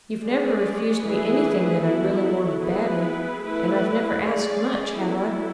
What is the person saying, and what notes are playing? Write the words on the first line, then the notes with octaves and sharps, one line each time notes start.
"You've never refused me anything that I really wanted badly, and I've never asked much, have I?"
G#3 C#4 G#4 D5
E3 A3 E4 G#4 B4
F#3 B3 E4 A4
B3 E4 G#4 B4
A3 E4 B4
G#3 C#4 G#4 D5
F#3 B3 E4 A4